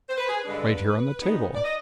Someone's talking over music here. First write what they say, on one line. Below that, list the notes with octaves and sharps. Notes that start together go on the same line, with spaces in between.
Right here on the table.
C5
B4
G#4
B4
G2 D3 G#3 D4
G2 D#3 B3 D#4
D5
D#5